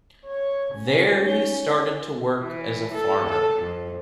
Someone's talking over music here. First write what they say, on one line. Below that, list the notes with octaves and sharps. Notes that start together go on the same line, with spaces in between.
There he started to work as a farmer.
C#5
C#4
D#4 C#5 G7
E3
A4
A4
F2